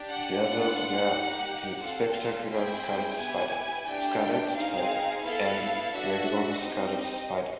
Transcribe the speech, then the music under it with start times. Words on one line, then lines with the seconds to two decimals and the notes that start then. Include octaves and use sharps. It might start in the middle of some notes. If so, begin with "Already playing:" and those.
The others were "The Spectacular Scarlet Spider", "Scarlet Spider", and "Web of Scarlet Spider".
Already playing: D4 G4
0.09 F#5
0.44 B3 D4 F4
1.12 A#3 D#4 G4
1.81 C4 F4 A4 F5
2.49 C4 E4 G#4 G5
3.18 B3 E4 G4 G#5
3.87 A3 D4 G4 G5
4.55 C4 D#4 G#4 F5
5.24 B3 E4 A4 F5
5.94 D4 F#4 A4 E5
6.62 C4 D#4 G4 D#5